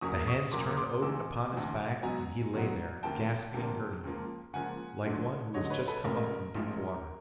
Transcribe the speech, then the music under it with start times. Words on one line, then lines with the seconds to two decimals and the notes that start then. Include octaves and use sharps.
The hands turned Odin upon his back and he lay there, gasping and hurting, like one who has just come up from deep water.
0.01 E2 C#3 F#3 A#3 C#6 D#6
0.27 C#6 D#6
0.52 E2 C#3 F#3 A#3 C6 D6
0.77 C6 D6
1.02 D2 C3 E3 D6 E6
1.53 D2 C3 E3
2.03 C#2 B2 F#3 B3 G#5 A#5
2.53 C#2 B2 F#3 B3
3.03 D2 C3 F3 A#3 G5 A5
3.54 D2 C3 F3 A#3
4.04 C#2 C#3 F3 A#3
4.53 C#2 C#3 F3 A#3 F#5 G#5
5.04 D2 D3 F#3 A3
5.54 D2 D3 F#3 A3 C#5 D#5
5.70 B4 C#5
5.87 A4 B4
6.04 A1 A2 F3 G#3 A#4
6.55 A1 A2 F3 G#3